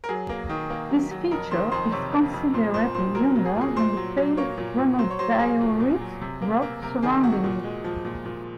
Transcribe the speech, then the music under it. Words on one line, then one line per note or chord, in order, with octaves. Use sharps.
This feature is considerably younger than the pale granodiorite rock surrounding it.
A#4
F#3 G#4
A#3
D#3
A#3
F#3
F#3
F2 A#4
D#3 C5
F2 C5
C3 C#5
A#3
F2
A#2 C5
A#2 C5
A#2 C5
F#3 A#4
F#3
G#4
A#2
G#4
A#2 C5
F#3
F#3
A#3 C#5
A#2
A#2
F#3 C5
C#5
F#3 C5
A#3 G#4
A#2
A#2
F#3
C3
A#3
A#3
C3 A#4
D#3 G#4
C3 F#4
A#2
G#3
F3
A#2
A#2